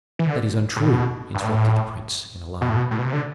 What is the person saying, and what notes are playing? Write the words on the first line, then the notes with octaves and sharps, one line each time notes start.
"That is untrue!" interrupted the prince, in alarm.
E3
D3
A2
B2
G2
A2
B2
A2
B2
A2
B2
C3
D3